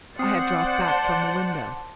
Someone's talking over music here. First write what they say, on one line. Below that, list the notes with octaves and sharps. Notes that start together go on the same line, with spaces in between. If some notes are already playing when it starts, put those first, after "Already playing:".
I had dropped back from the window.
C4 C5 D5 F#5 D#6 C7
A5 C6